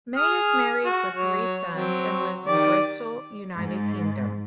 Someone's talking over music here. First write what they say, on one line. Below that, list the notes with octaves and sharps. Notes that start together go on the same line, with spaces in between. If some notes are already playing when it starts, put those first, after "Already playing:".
May is married with three sons and lives in Bristol, United Kingdom.
G#4 D#6 F6
F#4
F#3 C#5
F#3 C4
D#3 G4 D5
G#2